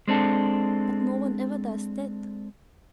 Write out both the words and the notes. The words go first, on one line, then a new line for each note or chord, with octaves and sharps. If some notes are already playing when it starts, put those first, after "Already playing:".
"But no one ever does that!"
G#3 C4 D4 A4